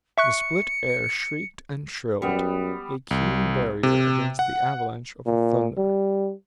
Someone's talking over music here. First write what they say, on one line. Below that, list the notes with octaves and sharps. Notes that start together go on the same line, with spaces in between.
The split air shrieked and shrilled, a keening barrier against the avalanche of the thunder.
E5 C#6 F#6 C#7
F#2 G3 B3
C2
C3
F#5
A#2
G3